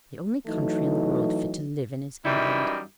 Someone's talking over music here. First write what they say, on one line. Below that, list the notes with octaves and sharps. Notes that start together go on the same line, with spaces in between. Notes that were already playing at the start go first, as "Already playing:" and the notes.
The only country in the world fit to live in is England.
E3 F#3 A3 D#4
F#2 E3 G3 D#4 E4